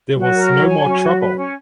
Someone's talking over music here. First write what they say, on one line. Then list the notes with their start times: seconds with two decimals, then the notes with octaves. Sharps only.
There was no more trouble.
0.17 F#3 F#4
0.34 A#4
0.51 C#5
0.67 G#5
0.85 F#3 C#4
1.03 F#4
1.19 B4
1.37 C#4